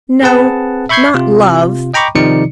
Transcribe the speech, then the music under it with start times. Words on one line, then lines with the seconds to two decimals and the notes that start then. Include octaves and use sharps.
No: not love.
0.22 C4 G#4 B4 F#5 A5
0.89 E5 B5 C#6 G6 G#6 C7
1.14 C3 F4
1.94 D#5 G5 A#5 B5 C#6 D6
2.15 C3 D#3 F3 D#4 D5 C#7